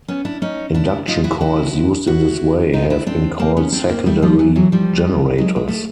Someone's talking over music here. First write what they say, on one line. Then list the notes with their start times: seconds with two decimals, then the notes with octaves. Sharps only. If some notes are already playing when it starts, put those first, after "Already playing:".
Induction coils used in this way have been called secondary generators.
0.08 B3 C#4
0.25 D4 E4
0.42 C#4 D#4
0.74 D4 E4
1.08 D#4 F4
1.24 E4 F#4
1.41 E4 F#4
2.07 E4 F#4
2.73 D#4 F4
2.90 D4 E4
3.06 C4 D4
3.40 A#3 C4
3.57 B3 C#4
3.72 C4 D4
3.89 A#3 C4
4.06 G3 A3
4.22 F3 G3
4.39 E3 F#3
4.56 E3 F#3
4.72 F3 G3
5.38 F#3 G#3
5.56 G#3
5.68 A3